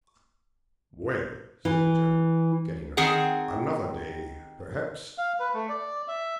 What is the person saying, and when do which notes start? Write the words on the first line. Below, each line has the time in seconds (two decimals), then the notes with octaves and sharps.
"Ah, well," said the General, getting up, "another day, perhaps."
1.65 E3
2.97 D#3 C4 G#4 F#5
5.18 F5
5.40 B4
5.54 A3
5.69 D5
6.08 E5